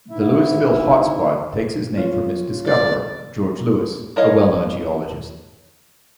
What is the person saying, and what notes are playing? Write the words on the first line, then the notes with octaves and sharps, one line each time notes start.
The Louisville hotspot takes its name from its discoverer, George Louis, a well-known geologist.
D2 G#2 E4 E5
F4 C#5
D5
E4 A#4 C#5 D#5 F5